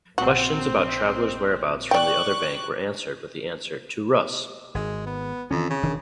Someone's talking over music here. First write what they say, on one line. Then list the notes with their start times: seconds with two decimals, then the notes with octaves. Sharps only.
Questions about travelers' whereabouts from the other bank were answered with the answer To-Rus!
0.18 A#1 C4 F#4
1.91 D5 G5 C#6 D6 F#6
4.75 G#1 G#3
5.06 B3
5.51 F2 D#3 E3 C#4
5.70 C#3
5.82 E1 D#3 D4